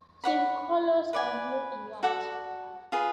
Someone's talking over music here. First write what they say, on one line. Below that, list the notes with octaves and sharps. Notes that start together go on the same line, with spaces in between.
The team's colors are blue and white.
C#5 F#5 B5
B4 D5 G#5
F#4 A4 D5 F#5
F4 G#4 B4